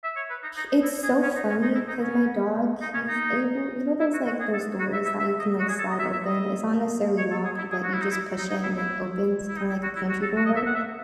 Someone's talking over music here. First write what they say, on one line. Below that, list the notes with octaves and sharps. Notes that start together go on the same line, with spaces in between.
h it's so funny 'cause my dog, he's able you know those, like those doors that you can, like, slide open? It's not necessarily locked, but you just push it and it opens kinda like a pantry door,
E5
C#5
B4
D#4
D#4
D#4
E4
G#4
C#4
D#4
C#4
D#4
E4
D#4
C#4
D#4
C#4
D#4
E4
F#4
F#4
G#4
A4
F#4
E5
E5
E5
D#5
F#4
G#4
A4
D#5
E5
E5
D#5
C#5
A4
G#4
E4
G#4
F#4
E4
D#4
E4
D#4
D#4
E4
E4
E4
D#4
E4
F#4
E4
F#4
A4
F#4
D#5
E5
F#5
E5